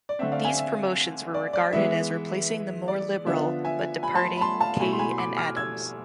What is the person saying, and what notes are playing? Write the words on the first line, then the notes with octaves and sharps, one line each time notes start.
These promotions were regarded as replacing the more liberal but departing Kaye and Adams.
D5
D3 A3 C4 E5
D5 F5
E5 G#5
E5
D5
D5
E3 G#3 B3 E4 E5
D5
D3 F3 B3 D4 F4 E5
E5 G#5
G#5 B5
A5 C6
B5
A5 C6
F5 A5
B2 A3 E4 G#5 B5
C6
G#5 B5
C6
B5 D6
D6 F6
E6 G#6